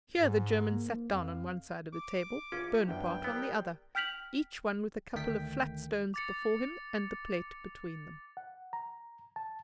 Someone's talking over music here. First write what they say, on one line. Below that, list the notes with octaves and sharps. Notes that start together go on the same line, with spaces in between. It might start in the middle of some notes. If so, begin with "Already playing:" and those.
Here the German sat down on one side of the table, Bonaparte on the other; each one with a couple of flat stones before him, and the plate between them.
G#2 G#4
A#3
F2 F5
D6
E2 C#4 F4
F#2 B3 D4 F#5 G5
C3 G3 B3 A#4 E6 F#6
G5 F6 G6 B6 F7 F#7
D2 D#3 A3 G5 B6
D6 A6 C#7
F#5
A#5
A5